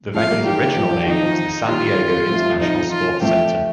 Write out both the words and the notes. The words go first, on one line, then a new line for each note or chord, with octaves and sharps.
The venue's original name was the San Diego International Sports Center.
F3 A3 F5
G3 A#3
D#3 G3 G4
F3
F3
D#3 D#4
F3
D#3 G3 F4
F3 A3
F3
F3 D#4
F3
F4
F3 A3 G4